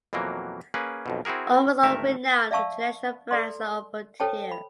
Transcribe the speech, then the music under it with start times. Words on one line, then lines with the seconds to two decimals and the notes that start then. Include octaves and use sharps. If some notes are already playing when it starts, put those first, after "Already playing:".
Almost all renowned international brands are offered here.
0.13 F2 B2 E3 F#3 A#3
0.74 A#3 C#4 G#4 B4
1.06 B1 F2 B2
1.25 C4 E4 F#4 G#4 A#4
1.83 G#1 D2 A3 A#4 E5
2.51 D5 E5 F5 A5 C#6 E6
3.31 A4 D5 C6
4.20 A4 C5 C#5 G5 A5
4.51 B5